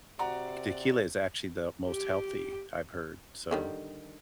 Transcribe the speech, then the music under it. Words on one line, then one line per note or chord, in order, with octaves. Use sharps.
tequila is actually the most healthy, I've heard. So,
C3 F#4 D5 A#5
G4
D3 D#3 G3